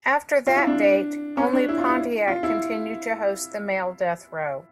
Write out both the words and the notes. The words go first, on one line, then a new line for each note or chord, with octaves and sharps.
After that date, only Pontiac continued to host the male death row.
F4
E4
D4
C#4
D4
E4
F4
E4
F4
E4